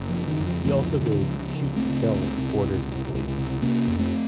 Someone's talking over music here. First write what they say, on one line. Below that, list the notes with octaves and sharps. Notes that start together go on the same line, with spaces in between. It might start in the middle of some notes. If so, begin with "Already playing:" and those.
He also gave "shoot to kill" orders to police.
Already playing: F#1
F3
C#3
D#3
F2
F3
C#2 F3 A3
F3
C#3
D#3
C#2
F3
C#3 F3
C#2
A3 C4
C#3
C#2
C3
C#2
C3
C#2
C3
C3 A#3 C#4
F2
A3 C4